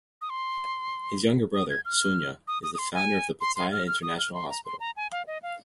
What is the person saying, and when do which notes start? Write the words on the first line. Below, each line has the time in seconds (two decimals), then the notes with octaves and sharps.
His younger brother, Sunya, is the founder of the Pattaya International Hospital.
0.22 D#6
0.30 C6
1.54 D#6
1.70 G#6
1.85 F6
2.48 D#6
2.63 D#6
2.74 D#6
2.78 C6
2.94 G#5
3.41 C6
3.56 C6
3.72 F6
3.87 F6
4.03 D#6
4.18 F6
4.34 C6
4.50 A#5
4.65 C6
4.80 A#5
4.97 G#5
5.12 F5
5.27 D#5
5.43 F5